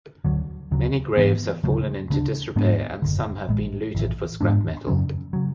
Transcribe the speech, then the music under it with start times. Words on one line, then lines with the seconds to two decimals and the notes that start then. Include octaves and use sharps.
Many graves have fallen into disrepair and some have been looted for scrap metal.
0.24 D2 D3 F#3
0.71 D2 C#3 F#3
1.17 G#2 E3 B3
1.64 D2 C#3 F#3 A3
2.10 D2 C#3 G#3 D4
2.56 G#2 G#3 B3 D4
3.02 F#1 F#2 D3
3.49 A1 A2 G#3
3.95 A1 A2 E3
4.41 G#2 G#3 B3 D4
4.87 F#2 C#3 F#3 C#4
5.33 C#3 F#3